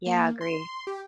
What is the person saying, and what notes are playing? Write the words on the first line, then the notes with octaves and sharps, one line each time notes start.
Yeah, agree.
A#3
C6
G4